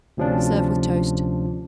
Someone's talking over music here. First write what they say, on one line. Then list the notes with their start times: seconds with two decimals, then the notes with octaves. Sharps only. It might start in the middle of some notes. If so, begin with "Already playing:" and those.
Serve with toast.
0.17 D2 C3 F3 C#4 D4